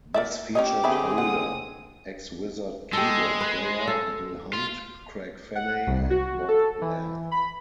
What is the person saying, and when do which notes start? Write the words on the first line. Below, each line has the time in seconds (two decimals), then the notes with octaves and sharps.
This featured Holder, ex-Wizzard keyboard player, Bill Hunt, Craig Fenney and Bob Lamb.
0.14 A#4 D5 E5
0.55 C#4 G4 C#5 D#5
0.84 D3 B3 C4 G#4 E5 B5
1.18 F#5 D#6
2.93 G#3 G4 A4
3.40 B4
3.87 A4
4.53 F4
5.56 F#5
5.87 C2
6.10 F#4
6.48 A4
6.82 E3
7.31 B5